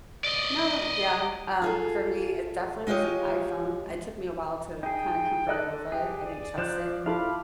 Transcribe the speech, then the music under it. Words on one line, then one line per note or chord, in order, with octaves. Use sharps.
No, yeah, um, for me, it definitely was an iPhone. It took me a while to kinda convert over, I didn't trust it.
D5 D#5
F4 G#4 A4
G#3 F4 G4 C#5 D#5
D#4 G#4 G5
A4 D5 D#5 F#6
G4 G#4 G5
D5
F3 C5 F#6 G6 E7
E4 F4 A4 E5 F5 B5 D6